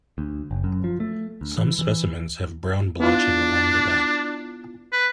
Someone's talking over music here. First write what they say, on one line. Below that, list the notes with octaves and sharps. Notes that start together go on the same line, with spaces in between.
Some specimens have brown blotching along the back.
D2
F#1
F#2
F3
A3
D2
E3
E3
B3 D4 E4 F4
B4